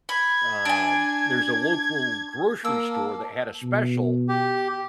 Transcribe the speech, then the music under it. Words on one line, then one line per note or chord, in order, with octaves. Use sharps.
um, there's a local grocery store that had a special
B5 G#6
D4 G#5
A#3 A5 E6
B2
G4